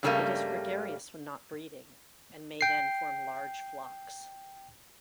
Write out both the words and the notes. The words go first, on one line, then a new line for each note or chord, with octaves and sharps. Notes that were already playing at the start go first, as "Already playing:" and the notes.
It is gregarious when not breeding, and may then form large flocks.
G2 C#3 F#3 G3 A3 A#3
G5 C7